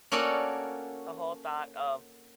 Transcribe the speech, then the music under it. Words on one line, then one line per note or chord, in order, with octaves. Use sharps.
the whole thought of,
A#3 C#4 F#4 A4 D5 F#5